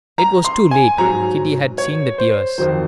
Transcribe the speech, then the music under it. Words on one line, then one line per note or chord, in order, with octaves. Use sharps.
It was too late; Kitty had seen the tears.
A#5
C6
G#5
G#2 F#3 A#5
C#5
C5
F2 D#3 F#3 C5